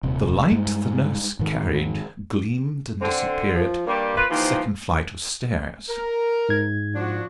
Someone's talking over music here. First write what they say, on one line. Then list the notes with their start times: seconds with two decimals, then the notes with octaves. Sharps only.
The light the nurse carried gleamed and disappeared up the second flight of stairs.
0.03 D#1 C3
0.51 G2 G#3
1.39 G#2 D#3
3.01 D3 C4
3.55 F3
3.87 G2 G3 A#3
4.17 F4 B4
4.30 D#2 E3 F3
5.88 A#4
6.49 G#2 G#6
6.95 F3 D4 F#4